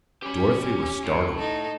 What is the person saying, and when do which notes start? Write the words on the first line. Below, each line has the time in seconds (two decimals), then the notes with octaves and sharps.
Dorothy was startled.
0.22 C#4 G4 B5
1.04 A2
1.35 D#4 A4